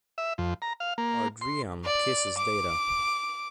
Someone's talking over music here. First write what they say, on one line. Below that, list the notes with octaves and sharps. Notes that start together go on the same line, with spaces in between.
Ard'rian kisses Data.
E5
F2
A#5
F5
A#3
C6
D5
D6